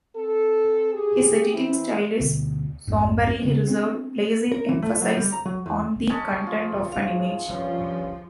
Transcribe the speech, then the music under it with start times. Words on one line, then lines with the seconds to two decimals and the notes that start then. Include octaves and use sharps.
His editing style is somberly reserved, placing emphasis on the content of an image.
0.16 C4 A4
0.93 G4 G#4
1.54 E3 C4 E4
2.20 D2 B2
2.87 A#1 F2 G#2
3.41 C#3 A3 C#4
3.67 B3 C4 D4
4.52 A#4
4.69 E3
4.82 A3
5.02 F#3
5.17 G3
5.32 A#5
5.46 F#3
5.66 E2
6.09 G#3 C#4 A5
6.47 F3 F4
6.92 G#2 B2 F3 F5
7.49 G2 F3 C#4